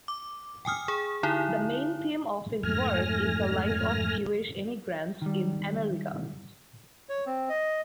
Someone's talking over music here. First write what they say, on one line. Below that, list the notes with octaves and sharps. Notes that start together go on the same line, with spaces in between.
The main theme of his work is the life of Jewish emigrants in America.
D6
G5 G#5 D#6 F6
G#4
D3 D#4 E4
F2 G#2 A3 G#5 F6 A#6
D#3 G3
C#5
C4
D#5